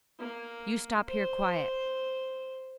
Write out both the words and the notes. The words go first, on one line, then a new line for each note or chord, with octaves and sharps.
You stop here quiet.
A#3
C5